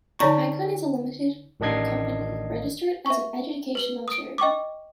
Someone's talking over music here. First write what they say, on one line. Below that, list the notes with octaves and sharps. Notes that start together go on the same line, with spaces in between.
Ikon is a limited company, registered as an educational charity.
D3 D#4 C#5 D5 A#5 C#6
A1 D#3 D4 D#5 G#6 C7
E5 C#6
B4 F#7 G7
D#6 D7
D#5 G5 C#6 D6